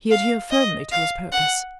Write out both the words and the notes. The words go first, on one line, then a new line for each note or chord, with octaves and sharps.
He adhered firmly to his purpose.
F5
D#5
F5
F#5